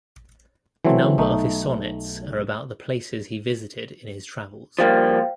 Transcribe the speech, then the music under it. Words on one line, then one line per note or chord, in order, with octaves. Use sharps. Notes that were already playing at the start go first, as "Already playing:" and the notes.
A number of his sonnets are about the places he visited in his travels.
E3 F#3 A3 C4
B1 A3 D#4
F3 G3 A#3 C5 F5 G5